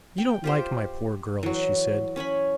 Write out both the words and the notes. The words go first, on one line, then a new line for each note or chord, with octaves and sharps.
"You don't like my poor girls," she said.
G5
F4 G4 C5
E3 F#3
C#4 C#5 G#5 B5